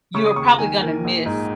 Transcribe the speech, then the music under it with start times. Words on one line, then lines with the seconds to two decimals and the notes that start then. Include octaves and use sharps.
you're probably gonna miss
0.14 C#3 C#6
0.26 D#6
0.36 D#2 C#6
0.47 A#5
0.59 D#3 G#5
0.82 A#3
1.04 A#1
1.26 G#2